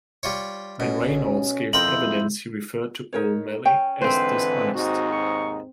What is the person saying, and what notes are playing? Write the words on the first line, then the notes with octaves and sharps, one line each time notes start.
When Reynolds gave evidence he referred to O'Malley as "dishonest".
G3 F4 C#5
B2 C#4
F2 E4 A#4 C5 D#5 G5 F#7
D#4 A#4 C#5
C#4 G5
G#2 D3 E3 C4 B4 C5
D#2 G#2 D#4 F#4
C#6